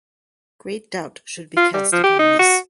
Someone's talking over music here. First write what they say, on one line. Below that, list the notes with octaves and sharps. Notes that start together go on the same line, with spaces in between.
Great doubt should be cast upon this.
F4
G3
F3
G4
D#4
F#4